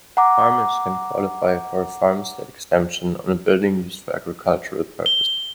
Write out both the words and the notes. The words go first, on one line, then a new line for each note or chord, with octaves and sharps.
Farmers can qualify for a farmstead exemption on building used for agricultural purposes.
F#5 A#5 D6
G7